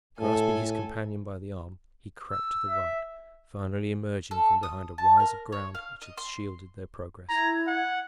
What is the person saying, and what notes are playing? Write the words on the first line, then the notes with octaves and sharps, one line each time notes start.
Grasping his companion by the arm, he crept to the right, finally emerging from behind a rise of ground which had shielded their progress.
A2 A4 G#5
E6
E5
A4
D#6
A5
A#4
C#5
F5
D#5
C6
E4 A#5 G#6
F#5